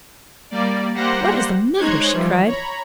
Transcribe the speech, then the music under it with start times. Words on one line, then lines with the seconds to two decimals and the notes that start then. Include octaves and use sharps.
"What is the matter?" she cried.
0.51 G3 A#3 D5
0.94 G3 A#3 G4 C5 F#5 A#6
1.77 G#3 D#4 C5 C#5 F#6 G#6
2.12 E3 F3 G3
2.46 C#5 A#5 B5